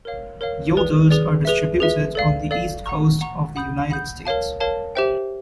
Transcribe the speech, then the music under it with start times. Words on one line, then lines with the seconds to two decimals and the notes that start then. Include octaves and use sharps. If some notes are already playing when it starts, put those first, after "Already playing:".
Yodels are distributed on the East Coast of the United States.
0.05 A#4 C#5 F5
0.41 A#4 C#5 F5
0.75 G#4 B4 D5
1.11 G#4 B4 D5
1.45 G#4 B4 E5
1.80 G#4 B4 E5
2.15 A4 D5 F5
2.51 A4 D5 F5
2.86 F#5 A#5 C#6
3.21 F#5 A#5 C#6
3.56 F#5 B5 D#6 G6
3.91 F#5 B5 D#6 G6
4.25 A#4 C#5 F5 A5
4.60 A#4 C#5 F5 A5
4.95 G4 C5 E5 G5